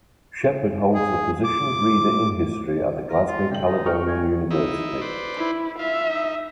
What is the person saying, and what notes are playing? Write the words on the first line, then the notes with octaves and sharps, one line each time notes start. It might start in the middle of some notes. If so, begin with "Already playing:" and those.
Shepherd holds the position of reader in history at the Glasgow Caledonian University.
G#4
D6
A#4
F4
D3 G5 F#7
D#4
G5 C#6 F6
G#5
D#4 E4
B4 C5 D5
E4
F4 E5
D#4